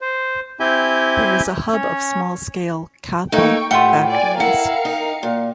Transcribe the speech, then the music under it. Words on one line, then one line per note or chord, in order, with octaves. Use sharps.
There is a hub of small scale Katha factories.
C5
C4 E4 G4 G#5 G6
C#4 C#5
A3 A#3 D#4 G5 C#6
A2 F4 G4 E5 F#5 G5
D5 G#5
E4 A#4 F5 F#5 C#7
D#4
A#2